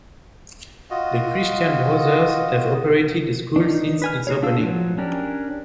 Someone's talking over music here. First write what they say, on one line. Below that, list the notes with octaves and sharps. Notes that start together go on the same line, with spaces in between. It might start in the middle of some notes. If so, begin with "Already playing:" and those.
The Christian Brothers have operated the school since its opening.
F4 F#4 D#5
D4 D#4
B4 G#5 F6
D#4 G#4 C#5
D4 F4 E6
F3 F#3
C#4 D4 G4 A#4